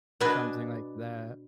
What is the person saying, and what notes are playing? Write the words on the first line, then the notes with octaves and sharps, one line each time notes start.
something like that.
B2 D4 B4 D#5 G#5